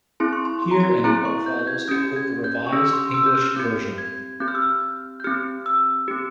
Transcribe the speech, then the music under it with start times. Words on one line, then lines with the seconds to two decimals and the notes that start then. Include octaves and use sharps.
Here and in what follows I quote the Revised English Version.
0.20 C4 E4 G#4 C6
0.33 C#6
0.45 C6
0.62 C6
0.71 A#5
0.80 C6
1.04 C4 E4 G#4 A#5
1.25 C#6
1.46 G6
1.59 G6
1.67 G#6
1.88 C#4 G4 G6
2.16 G#6
2.44 G6
2.67 C#6
2.72 C#4 G4 E6
2.93 C6
3.14 E6
3.26 G6
3.35 F6
3.56 C4 G4 G6
3.98 G#6
4.40 C4 G4 G6
4.48 F6
4.55 E6
4.62 F6
5.20 G6
5.24 C4 G4 F6
5.66 E6
6.08 C4 G4